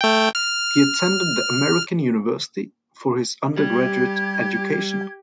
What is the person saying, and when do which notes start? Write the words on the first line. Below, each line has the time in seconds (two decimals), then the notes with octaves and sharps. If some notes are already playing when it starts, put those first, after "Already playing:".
He attended the American University for his undergraduate education.
0.01 A3 G5
0.35 F6
3.57 G3 G4 G#6